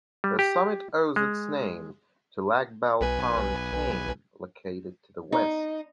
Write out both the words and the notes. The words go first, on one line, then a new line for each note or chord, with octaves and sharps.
The summit owes its name to Lac Belle Fontaine located to the west.
G3
G4
G#3
B1 B4 G#5
D#4